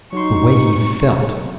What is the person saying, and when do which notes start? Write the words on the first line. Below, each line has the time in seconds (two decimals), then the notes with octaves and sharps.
The way he felt.
0.13 F#3 D#4 F#4 C6 C#6